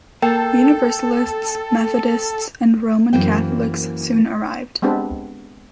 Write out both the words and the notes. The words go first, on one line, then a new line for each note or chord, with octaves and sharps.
Universalists, Methodists and Roman Catholics soon arrived.
A#3 A4 G5
F#2 E3 A#3 C5 G5
G#3 B3 C4 D4 G4